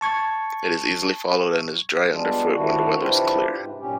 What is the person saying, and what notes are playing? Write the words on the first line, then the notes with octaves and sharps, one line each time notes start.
It is easily followed, and is dry underfoot when the weather is clear.
A5 C#6 G#6
G3 G#3 B3 D4 F4
C3 D#3 D4 E4 F#4 F#5
D4 E4 F4 G4 B4 C5
G#2 C3
F#2 A#2 C#4 G4